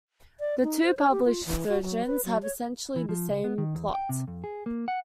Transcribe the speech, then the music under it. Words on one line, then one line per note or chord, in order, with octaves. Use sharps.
The two published versions have essentially the same plot.
D5
D#4
C5
C#5
G4
F4
E3
F#4
F#3
B4
F#3
C#5
E3
F3
C#2
B3
D#3
E2
G5
C3
F2
G#4
A#3
F#5